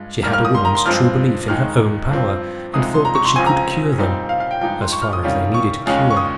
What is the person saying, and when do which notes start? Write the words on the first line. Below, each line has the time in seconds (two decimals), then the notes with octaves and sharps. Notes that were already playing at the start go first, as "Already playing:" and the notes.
She had a woman's true belief in her own power, and thought that she could cure them,--as far as they needed cure.
Already playing: G2 G#3 F4
0.23 G#2 D#3 G3 A#3 F6
0.33 F6
0.45 D#6
0.55 C6
0.65 A#5
0.75 C6
0.86 G2 F3 G#3 C4 F6
1.48 D#2 D#3 G#3 D#4 F6
2.11 G2 F3 C4 F4
2.73 C2 C3 F3 G#3 D#4 D#6
2.94 C6
3.05 A#5
3.15 C#6
3.25 C6
3.36 C#2 C#3 F3 C4 G#5
3.46 A#5
3.98 A#2 G3 C4 D#4
4.29 F5
4.40 F5
4.51 G5
4.61 G2 F3 G#3 D#4 G5
4.82 C6
4.92 C#6
5.02 F6
5.13 D#6
5.23 C3 D#3 G3 C#4 F4
5.54 C#6
5.86 D#2 C#3 G#3 C#4 F4
6.11 C#6
6.17 D#6